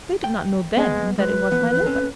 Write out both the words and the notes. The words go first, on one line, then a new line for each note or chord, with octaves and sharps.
They did not know, then, that it was my liver.
G5
G#3 B3
G#3 B4
E3 F3 B3
C4 C#4 A4